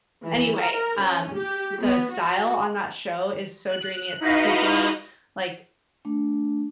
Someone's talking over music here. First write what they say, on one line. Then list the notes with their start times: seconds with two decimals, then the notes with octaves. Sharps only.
Anyway, um, the style on that show is so dreamy, it's super, like,
0.25 E3
0.58 A#4
1.00 C#4
1.34 G4
1.81 B3
2.11 F#4
3.69 F#6
4.20 D#4 E4 F#4 B4 D#5 F5
6.05 A3 D4